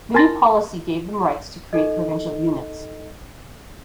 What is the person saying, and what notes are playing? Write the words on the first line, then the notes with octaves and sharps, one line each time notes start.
The new policy gave them rights to create provincial units.
A#4 G#5 A5 C6 A6 A#6
D#4 A4 D#5